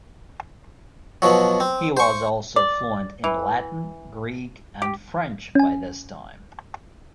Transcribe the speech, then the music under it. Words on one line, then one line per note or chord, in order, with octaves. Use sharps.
He was also fluent in Latin, Greek, and French by this time.
B2 F3 F#3
C4
C5 C#6
D5
E3
G4
C#4 G#5